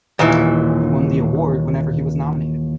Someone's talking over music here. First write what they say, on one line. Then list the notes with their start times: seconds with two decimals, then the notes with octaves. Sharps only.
He won the Award whenever he was nominated.
0.19 D#2 A#2 E3